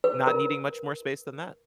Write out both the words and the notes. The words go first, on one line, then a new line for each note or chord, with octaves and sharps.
not needing much more space than that.
B4
A#4